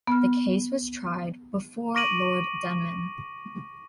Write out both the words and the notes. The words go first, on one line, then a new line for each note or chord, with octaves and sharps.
The case was tried before Lord Denman.
B3 F6
C#6 D6 A#6 D7 D#7 F#7